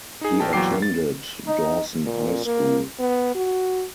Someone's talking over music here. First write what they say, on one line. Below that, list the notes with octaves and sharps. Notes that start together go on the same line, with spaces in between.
He attended Dawson High School.
D#4 G#4
A#1 G5 A5
E2 A#2 F#3 G5 D6 C7
A6
D#4
A#2
A#3
B3
F#4